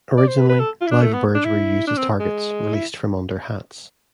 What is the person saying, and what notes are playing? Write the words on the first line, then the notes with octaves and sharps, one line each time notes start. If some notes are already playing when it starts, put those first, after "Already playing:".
Originally, live birds were used as targets, released from under hats.
D5
C5
B4
B4
A4
F4
E4
D4
A3
B3
D4
E4
D4
C4
G#3
E4